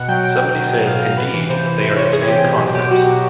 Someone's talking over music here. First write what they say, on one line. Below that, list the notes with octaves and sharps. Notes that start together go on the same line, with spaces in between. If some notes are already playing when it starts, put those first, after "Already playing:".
Somebody says, Indeed, they are same concepts.
Already playing: B2 F#5
F#3 G5
B2 G5
F#3
B2
F#3
B2 F5
F#3 F5
C3 B4
E3
C3 C5
E3
C3 C5
E3 C#5
C3 G#4
E3 G4
B2
F#3
B2 G4
F#3 F#4
B2